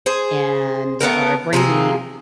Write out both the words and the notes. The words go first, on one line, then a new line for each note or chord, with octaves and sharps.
and or Brainy,
G#4 C5
A3 B3 D#4 A#4
C3 F3 A#3 G#4